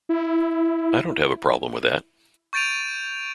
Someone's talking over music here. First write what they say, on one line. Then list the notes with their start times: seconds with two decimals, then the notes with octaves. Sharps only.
I don't have a problem with that.
0.09 E4
2.53 C#6 G6 A6 D7 D#7 F7